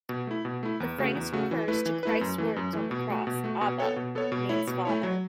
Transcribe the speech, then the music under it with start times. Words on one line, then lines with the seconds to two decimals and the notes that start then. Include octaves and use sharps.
The phrase refers to Christ's words on the cross: "Abba" means "father".
0.09 B2
0.27 A3 E4
0.45 B2
0.63 A3 E4
0.80 E2
0.98 C#3 A3 F#4
1.15 E2
1.33 C#3 A3 F#4
1.51 E3
1.68 A3 E4 B4
1.86 E3
2.03 A3 E4 B4
2.21 F#2
2.38 E3 A3
2.56 F#2
2.73 E3 A3
2.91 B2
3.10 A3 F#4
3.27 B2
3.44 A3 F#4
3.61 B2
3.80 B3 A4 C#5
3.96 B2
4.15 B3 A4 C#5
4.32 B2
4.49 A3 E4 C#5
4.67 B2
4.85 A3 E4 C#5
5.03 F#3